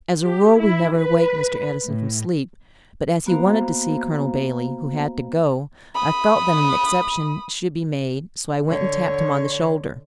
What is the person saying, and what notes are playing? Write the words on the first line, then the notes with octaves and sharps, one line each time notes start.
As a rule we never wake Mr. Edison from sleep, but as he wanted to see Colonel Bailey, who had to go, I felt that an exception should be made, so I went and tapped him on the shoulder.
G4
E4
B4
A2
A#3 B3 F#4 C5 F5 A#5
B5 D#6
D3 C#5